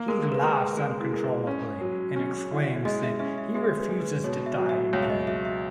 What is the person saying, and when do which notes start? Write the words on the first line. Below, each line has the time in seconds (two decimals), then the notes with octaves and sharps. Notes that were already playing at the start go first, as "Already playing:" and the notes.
He laughs uncontrollably, and exclaims that he refuses to die again.
Already playing: A#3
0.08 G#3 A#4
0.32 B4
0.43 G#3 A#4
0.77 G#3 G#4
1.00 E4
1.13 G#3 A#4
1.24 B4
1.46 C#4 C#5
1.81 F#3
2.16 C#4
2.51 E4
2.85 G#3 D#5
3.03 E5
3.19 C#4 E5
3.38 E5
3.54 G#3 E5
3.78 B4
3.89 G#3
4.00 B4
4.24 B2 C#5
4.46 E5
4.58 F#3
4.69 E5
4.93 C#2 C#5
5.03 E5
5.10 D#5
5.27 F#3 E5
5.45 E5